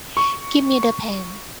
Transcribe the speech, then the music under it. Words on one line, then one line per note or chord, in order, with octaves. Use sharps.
Give me the pen.
C#6